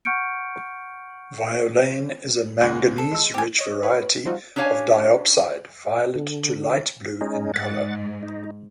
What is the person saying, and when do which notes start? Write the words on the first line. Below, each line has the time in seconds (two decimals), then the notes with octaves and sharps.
"Violane" is a manganese-rich variety of diopside, violet to light blue in color.
0.05 F#5 C#6 F6 G6 C#7 D7
2.61 C#2 G#2 F#5
2.98 A4
3.11 G#3 E6
3.34 G#1 C4 G4 G#5
3.59 C#5 D#5
3.83 B4 C#5
4.25 F3 G3 C4 D#4 F4 F#4
4.56 C#4 D4 G4 C#5 F5 G#5
6.15 D3
7.21 G#3 C#4 D#4
7.54 G#2 F#5 A6
8.23 D#4